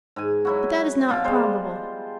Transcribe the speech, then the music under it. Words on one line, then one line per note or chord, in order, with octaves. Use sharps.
But that is not probable.
G#2 G#5
F#3 E4 F#4
B2 F4 A5
G3 G#3 C5